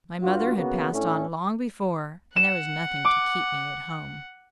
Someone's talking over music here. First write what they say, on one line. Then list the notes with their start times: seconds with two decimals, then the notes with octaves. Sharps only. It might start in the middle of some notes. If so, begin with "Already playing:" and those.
My mother had passed on long before, and there was nothing to keep me at home.
0.21 G2 F4 F#4
0.56 C#3 A#3 B3 F#4
0.92 A2 A3 C#4 D4
2.36 F#5 E7
3.05 D6